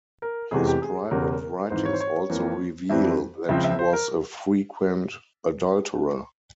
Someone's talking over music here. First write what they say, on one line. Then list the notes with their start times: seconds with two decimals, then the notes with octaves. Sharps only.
His private writings also reveal that he was a frequent adulterer.
0.22 A#4
0.51 F1 E2 C3 E3 G#3 G#4
0.67 G4
0.82 G#4
1.11 E1 E2 C#3 G3 A#4
1.70 G#1 G#2 E3 C5
1.85 C#5
1.93 C5
2.00 C#5
2.30 F2 E3 A#3
2.89 F2 E3 G3 C4 E5
3.49 C#2 C#3 F3 C4 E5
3.64 E5
3.79 C5
3.93 A#4